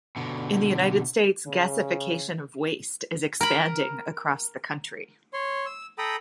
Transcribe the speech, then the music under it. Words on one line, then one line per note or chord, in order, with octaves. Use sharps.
In the United States, gasification of waste is expanding across the country.
B2 D3
C#3
A#4 B5
C#5 C6
E6
A4 G5 A#5 B5 D#6